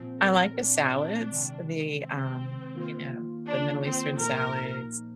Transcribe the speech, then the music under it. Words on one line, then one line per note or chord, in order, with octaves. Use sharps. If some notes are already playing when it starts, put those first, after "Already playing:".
I like the salads, the, um, you know, the Middle Eastern salads,
Already playing: A#2 F3 C4
A#4
D4
C3 D#3 G#3
C4
D#3 A#3 F4
D4
C4
A#2 F3 A#3 D#4 A#4